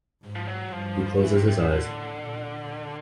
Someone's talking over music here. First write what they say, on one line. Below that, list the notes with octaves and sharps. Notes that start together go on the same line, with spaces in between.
He closes his eyes.
G#2
F3
F#3
G2 F3
G#2 E3
C3
C3
C#3
A2 D3
A#2